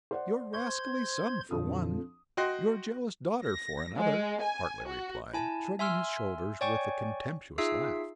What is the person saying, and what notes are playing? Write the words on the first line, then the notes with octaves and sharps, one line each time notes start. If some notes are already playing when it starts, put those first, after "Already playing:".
"Your rascally son, for one--your jealous daughter, for another," Hartly replied, shrugging his shoulders with a contemptuous laugh.
C5 D5 F#5
C5 C6 C#6 G#6
F2 A#2 D3 F3 D4 D#6
F#4 D#5 G5 C6 F#6
A#6
G#3
G#5
F#4
E4 G#5 A5
E5 G#5 C6 E6 F6
C#5 D5 G5 G#5 C#6
D#4 F4 G#4 E5 E6 C7